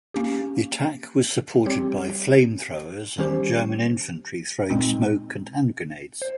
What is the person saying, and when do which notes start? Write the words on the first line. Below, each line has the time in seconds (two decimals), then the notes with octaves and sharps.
The attack was supported by flame-throwers and German infantry throwing smoke- and hand-grenades.
0.14 A#3 C#4 G4
1.66 G3 C4 G4 C#5
3.18 D#3 G3 C#4 G4 C5
4.70 A#2 G#3 C4 D#4
6.22 C5